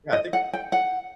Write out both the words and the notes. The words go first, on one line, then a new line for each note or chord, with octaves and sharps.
yeah, I think
D#5
F#5
G5
F#5